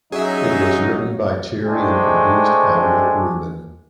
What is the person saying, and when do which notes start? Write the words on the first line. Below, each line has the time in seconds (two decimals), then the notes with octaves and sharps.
It was written by Cherry and produced by Rick Rubin.
0.12 F#3 C#4 D#4 G#4 E5
1.66 G#3 A3 D4 C5 G5 G#5